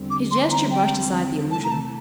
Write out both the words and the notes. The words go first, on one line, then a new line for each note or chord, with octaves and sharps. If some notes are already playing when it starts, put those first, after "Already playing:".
His gesture brushed aside the allusion.
Already playing: E2 D3 G3 C4
D6
C6
A#5
G5
C3 E3 A3 A5
A#5
A5